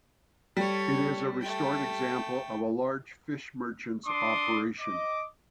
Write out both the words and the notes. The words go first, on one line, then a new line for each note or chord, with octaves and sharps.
It is a restored example of a large fish merchant's operation.
G3 A4 C#5
A3 G5
D4 C6 D6 D#6
D#5 D6